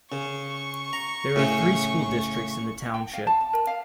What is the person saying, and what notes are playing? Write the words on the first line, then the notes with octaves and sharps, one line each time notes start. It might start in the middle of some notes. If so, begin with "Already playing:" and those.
There are three school districts in the township.
C#3 C#6
A#5
A2 C#3 C#4
G5
F5
A5
A5
A#4
F5